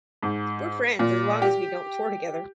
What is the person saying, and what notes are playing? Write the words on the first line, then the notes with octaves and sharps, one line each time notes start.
We're friends as long as we don't tour together.
G#2
A#2
G4